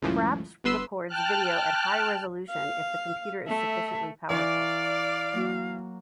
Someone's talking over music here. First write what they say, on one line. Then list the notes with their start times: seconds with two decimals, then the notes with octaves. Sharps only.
Fraps records video at high resolution if the computer is sufficiently powerful.
0.02 C#2 F#2 A2 E3 F3
0.64 G1 B3 B4 C6 E6
1.07 G5 A5 F6 F#6
2.50 F5
3.48 A3 E5 A5
4.30 E3 D5 F5 A#5 C#6
5.33 F#3 A#3 F#4